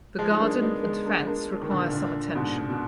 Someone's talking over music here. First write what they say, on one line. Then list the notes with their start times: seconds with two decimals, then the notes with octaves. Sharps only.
The garden and fence require some attention.
0.18 F3 G#3
0.31 D#4
0.40 A#3 D4
0.62 G#3 B3
0.83 G#3 B3
1.05 A#3 D4
1.27 A#3 D4
1.62 D#3
1.70 A#2 D3
1.91 A#2 D3
2.35 G#2 B2
2.70 B2